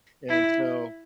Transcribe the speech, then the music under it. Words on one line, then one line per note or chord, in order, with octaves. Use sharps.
And so
E4